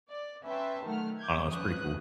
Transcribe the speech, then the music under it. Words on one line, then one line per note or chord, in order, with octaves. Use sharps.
I don't know, it's pretty cool.
D5
C#4 B4 E5 G5 A5 C6
D#3 F#3 A3 F#5 F6
D6 G6 G#6
F3 C#4 B4 D#6 F#6